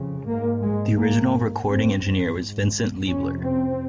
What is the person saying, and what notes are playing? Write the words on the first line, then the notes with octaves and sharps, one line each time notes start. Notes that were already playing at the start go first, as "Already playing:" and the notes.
The original recording engineer was Vincent Liebler.
Already playing: F2 C#3
G#2 A#3
G#3
G#2 A#3
G2 C4
G#2
F2 C3 C#4
C4